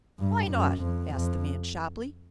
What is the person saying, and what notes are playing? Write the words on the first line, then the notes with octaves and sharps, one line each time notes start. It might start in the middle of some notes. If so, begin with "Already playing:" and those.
"Why not?" asked the man sharply.
G2
F#2
F2
F2